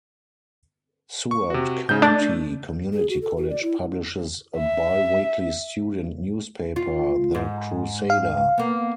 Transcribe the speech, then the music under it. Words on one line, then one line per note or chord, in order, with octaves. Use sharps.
Seward County Community College publishes a bi-weekly student newspaper, the "Crusader".
C#6
C3 F#4
C#3 D#4 G6
A3 D4 A6
G#4
F#4
A4
F#4
D5
E4
E5
F4
G#2
F5
A#3 B3